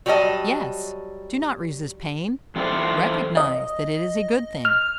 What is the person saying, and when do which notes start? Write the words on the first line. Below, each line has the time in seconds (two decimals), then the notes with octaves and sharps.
Yes. Do not resist pain; recognize that it is a good thing.
0.06 F#3 G3 G4 A4 D#5 A5
2.56 E3 C4 F4 A4 C5 D5
3.37 D#5
4.65 F6